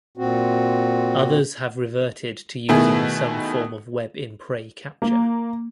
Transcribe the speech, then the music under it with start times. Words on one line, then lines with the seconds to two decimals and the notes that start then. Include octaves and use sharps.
Others have reverted to using some form of web in prey capture.
0.17 A#2 C4 F#4
2.69 B2 D#3 A3 B3 E4 G#4
5.02 A#3